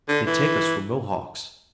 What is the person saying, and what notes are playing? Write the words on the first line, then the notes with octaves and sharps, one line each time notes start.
They take us for Mohawks.
D3
E3